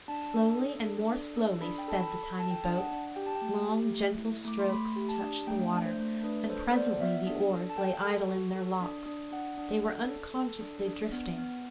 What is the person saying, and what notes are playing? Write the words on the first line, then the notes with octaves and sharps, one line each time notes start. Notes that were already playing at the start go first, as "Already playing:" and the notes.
Slowly and more slowly sped the tiny boat; long gentle strokes touched the water; and presently the oars lay idle in their locks,--they were unconsciously drifting.
D4 A5
A4
D4
A4
D4
A4
D4 B5
G5
A4 A5
B5
A4
A4 A5
G5
D4 A5
F#5
D4
G4 G5
A5
G5
A3
G4
A3
E4
A3 D6
C6
A3 B5
G4
A5
D4
A3 G5
D4
C5
A3
D4 B4
A4 C5
C5
B3 D5
B3 E5
D4
A4
A5
A4 G5
A4
F#4
A4
D4
D4
D4 F#5
D4
A4
A4
A4
D4
D4
B3
B3